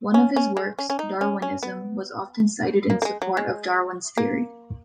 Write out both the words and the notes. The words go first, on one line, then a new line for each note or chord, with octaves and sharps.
One of his works, "Darwinism", was often cited in support of Darwin's theory.
C#4
C#4
G#3
C#4
C#4
D#4
C#4
C#4
B3
A#3
A#3
G#3
F#3
G#3
A#3